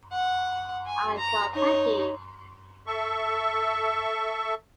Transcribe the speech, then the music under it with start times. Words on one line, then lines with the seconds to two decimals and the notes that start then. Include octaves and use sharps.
I called Patti.
0.12 F#5
0.86 G#5
1.17 A#5
1.54 D#4 C#5
2.87 A4 E5 C#6